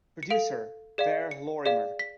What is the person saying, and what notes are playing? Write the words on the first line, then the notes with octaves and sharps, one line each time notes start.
Producer: Vere Lorrimer.
C#7
A4 F5 D7
G#4 D5 F5
C#7
G#4 D5 F5
B6